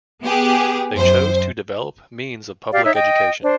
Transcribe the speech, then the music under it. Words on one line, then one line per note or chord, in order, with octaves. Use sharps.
They chose to develop means of public education.
B3 G4 G#4
F#2 C5
G4 D5 F5
D#4 C#5 E5 E6
D#5 G5
D4 C5